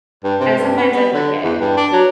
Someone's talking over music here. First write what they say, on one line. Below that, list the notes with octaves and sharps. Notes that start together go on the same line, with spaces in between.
And sometimes I look at
G2
C3
G2
B3
B3
D3
E2
G2
D4
F#3